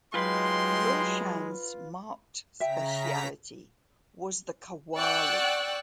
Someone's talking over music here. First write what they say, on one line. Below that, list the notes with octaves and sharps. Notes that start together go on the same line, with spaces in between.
Roshan's marked speciality was the Qawwali.
F#3 G#3 D#4 F4 B4 G5 C6
C#3 E5 G5 A#5 B6
D5 F#5 G5 C#6 E6 F#6